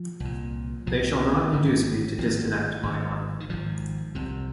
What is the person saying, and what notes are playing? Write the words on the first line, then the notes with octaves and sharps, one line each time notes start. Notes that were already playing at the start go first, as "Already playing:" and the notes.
They shall not induce me to disconnect my army.
Already playing: F3
C2 A#2
C2 A#2 F3
G#1 G#2
G#1 G#2 F3
G#1 G#2
D#3
G#1 G#2 F3
C2 C3